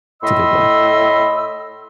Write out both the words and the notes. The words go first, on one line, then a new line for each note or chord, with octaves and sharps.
to their death.
A2 D#5 B5 C6 E6